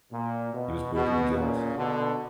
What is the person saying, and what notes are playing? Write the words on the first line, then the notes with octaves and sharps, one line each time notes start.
He was born in Ghent.
A#2
B2
B2
A#2 C#3
B2 D3